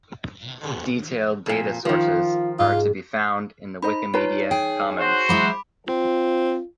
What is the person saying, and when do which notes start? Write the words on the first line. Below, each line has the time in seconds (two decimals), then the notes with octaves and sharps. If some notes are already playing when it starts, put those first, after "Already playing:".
Detailed data sources are to be found in the Wikimedia Commons.
1.46 F2 A#2
1.85 D#3 F3 F4
2.59 G#2 F4
3.83 D#4 C5 D#5 B5
4.14 D#4 F4 B4 C#5 A#5
4.51 G#4 G5
4.99 F#4 C5
5.29 F#3 G#3 E4 B5 D6
5.88 C4 F4